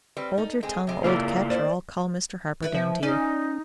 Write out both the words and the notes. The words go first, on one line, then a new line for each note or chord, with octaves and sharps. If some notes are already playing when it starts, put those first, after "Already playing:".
Hold your tongue, old Ketch, or I'll call Mr. Harper down to you.
G3 C4 B4
D#4 A4
G#3 C4 G#4
C3 G#3
C#3 A#3 E4 F4 G#4 A4 D5
C5 D5
E4 B4 E5
F3
C#4 D#4 C5 D5